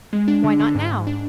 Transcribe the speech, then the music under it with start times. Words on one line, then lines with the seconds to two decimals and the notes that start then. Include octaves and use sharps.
Why not now?
0.13 G#3
0.28 D4
0.44 D3
0.60 D3
0.75 G#2
0.91 G#2
1.07 D4